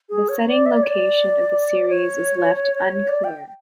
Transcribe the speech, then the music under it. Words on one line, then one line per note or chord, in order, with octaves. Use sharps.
The setting location of the series is left unclear.
G#4
C#5
D5
E5
D5
C#5
D5
C#5
D5
G5